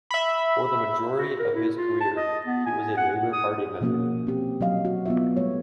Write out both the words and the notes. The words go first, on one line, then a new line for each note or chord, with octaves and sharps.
For the majority of his career he was a Labour Party member.
E5 B5
F#4
A#4
E4
F4
A5
D#5
B3
G#5
F#5
F#5
D#6
B2 F3 A#3 C#4 F#4
C4 G4
F#3 D#5 F5
F#4
B3 F4 E5
G3 A3 C#5